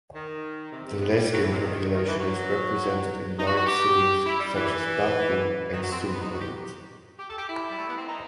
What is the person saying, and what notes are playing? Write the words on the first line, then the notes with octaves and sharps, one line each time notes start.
The Lezgin population is represented in large cities such as Baku and Sumqayit.
D#3
C3
C3
B3
G3
F#3
E3
C3
D#3
D#3
E3
F#3
D#4
F#4
F#4
G4
E4
G3
E3
D#3
F#3
C4
B3
B3
D#4
F#4
G4
G4
A4
G4
E4
G3
A3
B3
C4
D#4